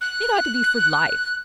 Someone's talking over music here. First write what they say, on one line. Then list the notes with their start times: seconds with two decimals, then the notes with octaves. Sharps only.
It ought to be for life.
0.01 F#6